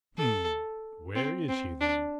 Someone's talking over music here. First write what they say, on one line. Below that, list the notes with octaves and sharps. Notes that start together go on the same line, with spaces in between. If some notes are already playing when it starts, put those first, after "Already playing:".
"Hm, where is he, then?"
A4
C4
C4
D4